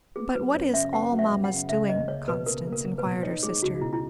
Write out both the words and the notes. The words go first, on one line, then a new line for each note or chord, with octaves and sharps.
"But what is 'all mamma's doing,' Constance?" inquired her sister.
B3 G#4
F#3 B4
F#2 C#5
C#3 E5
B3 F#5
F#3
E5
F#2
F#5
C#3
C#2 E5
A#3 D#5
C#2 C#5
B2 B4
C#2 A#4
A#3
A#4
C#2
B4
B2
D#4 C#5
G#3 G#4
C#2 F#4
B2 E4
E4